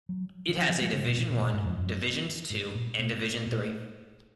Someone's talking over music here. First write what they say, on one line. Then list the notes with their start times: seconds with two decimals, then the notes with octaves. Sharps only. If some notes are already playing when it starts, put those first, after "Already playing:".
It has a Division One, Divisions Two and Division Three.
0.09 F#3
0.49 D#3
0.57 F3
0.69 F3
0.81 G#3
0.93 C#3
1.05 B2
1.17 A#2
1.30 B2
1.41 A#2
1.53 G#2
1.65 F2
1.78 F#2
2.50 G#2
2.75 A#2
2.99 B2
3.47 A#2